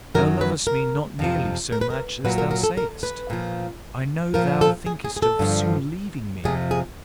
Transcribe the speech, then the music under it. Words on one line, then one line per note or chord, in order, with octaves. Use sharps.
Thou lovest me not nearly so much as thou sayest; I know thou thinkest of soon leaving me.
F#2 D#3 F#3 A#4
B4
A#4
F2 C3 F3
A#4
B4
A#4
A#2 F#3 B4
A#4
A#4
A4
A#4
B4
A#2 F3
A#2 F3 A#4
A4
G#4
G#4
G#4
A4
G2 D3 F3
F2 C3 F3 G#4
G#4